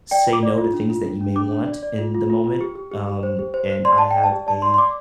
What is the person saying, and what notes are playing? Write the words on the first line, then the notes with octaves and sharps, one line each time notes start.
say no to things that you may want in the moment, um, and I have a,
D5 G5
F4
D6
D5
F4
D4
F4
D4
D4
D4 D6
D4
D5
D5
F4
F4
F4
F4
G4
G4
G4
G4
C5
G4
C5
C5
D5 C6
D5 A5
D5 G5
A5
G4
D5 A5
D5 C6
C6
D5 D6